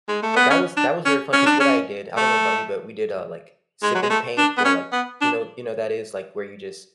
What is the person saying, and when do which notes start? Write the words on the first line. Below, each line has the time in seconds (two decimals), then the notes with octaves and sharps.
but that was that was very fun 'cause what I did I don't know about you, but we did, uh, like, sip and paint or, like, you know you know, that is, like, where you just
0.09 G#3
0.23 A3
0.36 B3
0.50 C#4
0.77 D4
1.06 C#4
1.33 C#4
1.46 D4
1.60 C#4
2.17 A3
3.83 G#3
3.95 F#3
4.03 G#3
4.10 A3
4.38 D4
4.58 B3
4.65 C#4
4.92 B3
5.21 D4